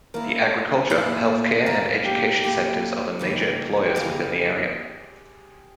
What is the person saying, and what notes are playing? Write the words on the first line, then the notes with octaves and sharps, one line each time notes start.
The agriculture, healthcare and education sectors are the major employers within the area.
A#2 A#3 E4 A#4
A#2 A#3 E4
A#2 A#3 E4 A#4
G4
A#2 A#3 E4 G4
C#3 E3 A#3 D#4
G4
C#3 E3 A#3 D#4 G#4